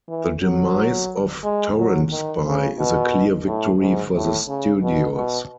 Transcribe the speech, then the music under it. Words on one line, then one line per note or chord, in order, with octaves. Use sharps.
The demise of TorrentSpy is a clear victory for the studios.
E3
F#3
G#3
F#3
D#3
C#3
B2
A2
G#2
A2
C#3
B2
B2